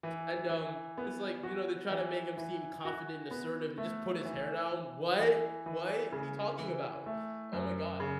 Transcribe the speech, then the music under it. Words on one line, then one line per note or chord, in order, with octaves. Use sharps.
and um, it's like, you know, they try to make him seem confident and assertive, and just put his hair down. What? What? What are you talking about? Oh my God
E3
E3
B3
F#4
E3
E3
F#4
B3
A3
E3
E3
E3
E3
C#3
E3
A3
F#2
C#3